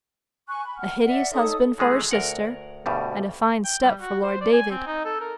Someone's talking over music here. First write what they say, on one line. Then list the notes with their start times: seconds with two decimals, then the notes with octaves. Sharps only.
A hideous husband for her sister, and a fine step for Lord David.
0.48 G#5 C#6 F#6
0.66 B5
0.77 F#5 F6
1.05 D5 E5 F#5
1.32 D#4 A4 C#5 D#6
1.79 E3 G#3 A3 G#4
2.11 D2 A#4 F#5
2.86 D2 G2 B2 G3
3.64 G5
3.82 G3
4.01 F#4
4.23 C5
4.41 D5
4.53 G#5
4.71 C4
4.87 D#4
5.05 A4
5.21 A#4